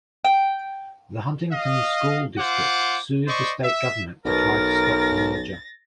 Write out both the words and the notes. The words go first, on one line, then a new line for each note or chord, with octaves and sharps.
The Huntington School District sued the state government to try to stop the merger.
G5
D#5 F5
F4 C5 F#5 D6
C5 D5 D#5 C#6
E5
B1 B2 A#4 A6 A#6